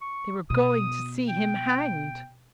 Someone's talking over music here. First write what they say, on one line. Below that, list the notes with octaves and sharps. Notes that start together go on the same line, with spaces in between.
They were going to see him hanged.
C#6
B2 D#6
G5